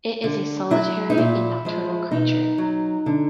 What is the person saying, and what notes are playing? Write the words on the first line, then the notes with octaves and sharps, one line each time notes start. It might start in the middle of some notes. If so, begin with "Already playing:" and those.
It is a solitary and nocturnal creature.
D3
F#3 E4
D#4
A#2 E4
F3 G#3
B2 D#4
F#3
D3